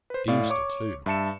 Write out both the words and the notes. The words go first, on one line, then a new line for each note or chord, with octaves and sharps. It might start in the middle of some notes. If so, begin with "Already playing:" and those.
Deemster too!
B4 C5
A2 D5 F5
C#5 C#6 D6
G2 E5 A5 C#7 E7